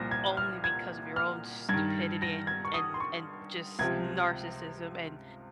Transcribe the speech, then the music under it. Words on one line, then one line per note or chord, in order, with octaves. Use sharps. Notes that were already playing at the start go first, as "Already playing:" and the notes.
only because of your own stupidity and and and just narcissism and
Already playing: C2 A#2 F3 A#6
G#6
F6
G#6
F6
G2 D#3 G#6
A#6
G#6
C#6
D#6
C6
C#6
C#2 C3 F3 G#6